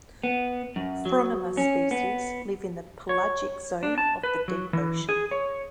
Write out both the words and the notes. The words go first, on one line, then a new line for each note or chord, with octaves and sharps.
"Phronima" species live in the pelagic zone of the deep ocean.
B3
F#2
F#3
C#4
B3
C#5
D4
A5
B4
F#3
E3
G#4
C#5